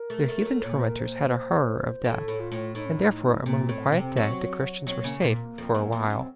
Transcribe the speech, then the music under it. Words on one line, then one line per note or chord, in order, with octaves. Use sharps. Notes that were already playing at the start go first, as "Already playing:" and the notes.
Their heathen tormentors had a horror of death, and therefore among the quiet dead the Christians were safe for a while.
Already playing: A#4
A3
A3
F#3
A3
A#2 C#5
C5
A#4
C5
A2 A4
A2
F4
A2
A2 D#4
C#4
D#4
A#3
A#2 C4
A2
C3
F#3
F#3 C4
C#3 A#3
A#2 A#3
F2
F#2
F2
F#2 C#4
C4